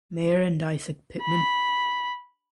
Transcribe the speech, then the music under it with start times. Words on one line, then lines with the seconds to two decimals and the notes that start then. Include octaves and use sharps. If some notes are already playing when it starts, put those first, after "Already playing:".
Mayor and Isaac Pitman.
1.22 B5